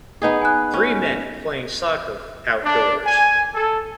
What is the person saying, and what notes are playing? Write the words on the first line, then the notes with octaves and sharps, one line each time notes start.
Three men playing soccer outdoors.
B3 D#4 G#4
G#5 F#6
C#4
D4
G#5
A4